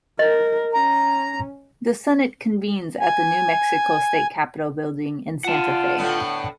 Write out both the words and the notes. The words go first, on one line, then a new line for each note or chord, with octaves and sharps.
The Senate convenes at the New Mexico State Capitol building in Santa Fe.
A#4 D#5
C#4 A#5
G#5
F4 F#5 A5
A2 D3 B3